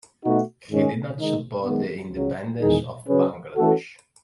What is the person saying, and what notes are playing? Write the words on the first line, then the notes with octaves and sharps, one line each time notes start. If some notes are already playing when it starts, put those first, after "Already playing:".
He did not support the independence of Bangladesh.
B2 A3 D#4 F#4
G#2 D#3 G#3 C#4 G#4
D#3 G#3 D#4
D#3 G#3 B3
C#2 C#3 F#3
E2 D#3 G#3 D#4 G#4
C#3 F#3 C#4 G#4 B4
E3 A3 C#4 F#4 A4